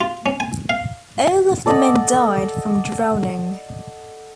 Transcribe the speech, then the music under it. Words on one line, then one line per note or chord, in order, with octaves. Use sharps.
All of the men died from drowning.
F4
C#4
G#5
F5
A4 D5 D#5 F#5